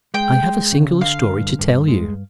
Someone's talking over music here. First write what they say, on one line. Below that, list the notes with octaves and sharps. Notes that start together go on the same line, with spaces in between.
I have a singular story to tell you.
G#3 G5
G#3
C#3
D3 F5
G2
G2
G#3